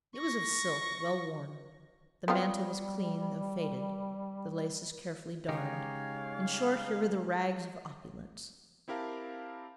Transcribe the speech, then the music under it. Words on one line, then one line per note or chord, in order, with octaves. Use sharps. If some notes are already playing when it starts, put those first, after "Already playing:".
It was of silk, well-worn; the mantle was clean, though faded; the laces carefully darned; in short, here were the rags of opulence.
C#6 A#6
G3 B3 C4 F4
C#3 G#3 D#4 G4 C#5 F5
C4 E4 G4 A#4 F5 A5